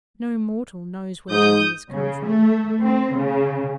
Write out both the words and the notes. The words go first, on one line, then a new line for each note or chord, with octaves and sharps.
No mortal knows where ideas come from.
G#2 D#6 G6
C#3
A3
C4
C#3